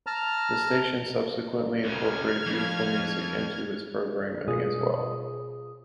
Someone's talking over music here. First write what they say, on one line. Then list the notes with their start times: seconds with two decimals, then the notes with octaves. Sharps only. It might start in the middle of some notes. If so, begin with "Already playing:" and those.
The station subsequently incorporated beautiful music into its programming as well.
0.07 A5 A#5 F6
1.84 C#2 C3 F6 G#6
2.46 F2
4.48 B2 F4 G#4 D#6